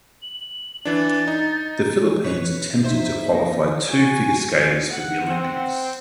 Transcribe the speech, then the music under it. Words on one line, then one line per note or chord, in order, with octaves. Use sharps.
The Philippines attempted to qualify two figure skaters for the Olympics.
F#7
E3 D4 A6
D#4
B4 C#5
D#4 E4 C5 E5
A#3 D#5
F#4 G#5
F#5
C4